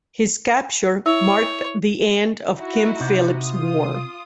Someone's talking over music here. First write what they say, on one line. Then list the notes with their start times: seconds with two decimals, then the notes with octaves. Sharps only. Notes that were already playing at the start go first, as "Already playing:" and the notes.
His capture marked the end of King Philip's War.
1.06 E4 C#5 E5 E6
2.56 D#4 E4 F#4
3.00 C3
3.42 F4 D#6